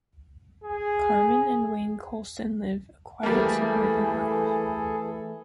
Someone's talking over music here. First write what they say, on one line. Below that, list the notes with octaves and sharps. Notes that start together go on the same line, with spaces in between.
Carmen and Wayne Colson live a quiet, suburban life.
G#4
E3 G3 A3 A#3 G#4 A4